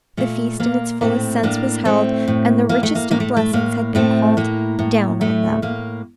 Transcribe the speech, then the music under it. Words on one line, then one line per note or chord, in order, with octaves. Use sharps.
The feast, in its fullest sense, was held, and the richest of blessings had been called down on them.
A#2 A3
A#2 A#3
A2 A3 C4
A2 A#3 D4
A2 A3 C4
A2
A2 A#3
A3
A#3
A2 A#3
A3
A3
A2 A#3
A2 A3 C4
A2 A#3
A2
A2 A3
A2 A#3